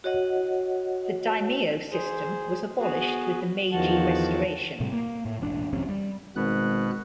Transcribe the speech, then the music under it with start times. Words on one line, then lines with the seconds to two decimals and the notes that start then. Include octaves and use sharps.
The "daimyo" system was abolished with the Meiji Restoration.
0.04 F#4 C#5 D#5 F#5
1.92 G#4 C5
2.80 B3 F#4 G#4 B4
3.72 E2 D#3 F3 F#4 F#5 A5
4.80 A2 C3 G3 A3
4.92 A#3
5.25 A2
5.40 E1 A1 G2 D4
5.73 G#1 F2 C3 C#4
5.89 G3
6.36 G#1 B2 B3 F#6